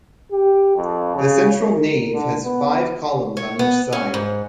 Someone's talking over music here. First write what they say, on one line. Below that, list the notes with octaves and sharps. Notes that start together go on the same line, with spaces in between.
The central nave has five columns on each side.
G4
F2
C#3
A#4
D3
B3
C#5
B3
C#4
G#2